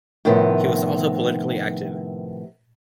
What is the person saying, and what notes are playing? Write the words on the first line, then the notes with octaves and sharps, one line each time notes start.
He was also politically active.
A2 C3 D#3 F3 B3